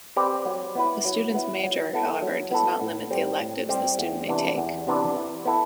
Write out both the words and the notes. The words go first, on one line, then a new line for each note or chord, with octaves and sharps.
A student's major, however, does not limit the electives the student may take.
C4 G4 B4 D5
F#3
B3 E4 B4
F#3
B3 E4 B4
F#3
B3 E4 A4
F#3
B3 E4 A4
A2
G3 C4 G4
A2
G3 C4 G4
E2
C3 E3 B3 D4
E2
C3 E3 B3 D4
E3
B3 E4 A4